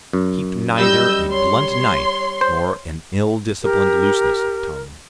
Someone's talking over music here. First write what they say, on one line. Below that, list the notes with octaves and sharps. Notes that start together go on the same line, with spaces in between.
Keep neither a blunt knife nor an ill-disciplined looseness of tongue.
F#2
G3 D#5 E6 G6
C#5 C6
C5
G4 A#4